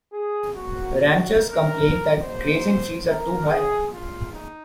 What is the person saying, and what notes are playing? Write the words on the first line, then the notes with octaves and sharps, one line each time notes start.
Ranchers complain that grazing fees are too high.
G#4
G#2 F#3 A#3 F#4
F#4
A#4
G#2 F#3 A#3 C5
A#4
G#4
A#2 G#3 F4
D#4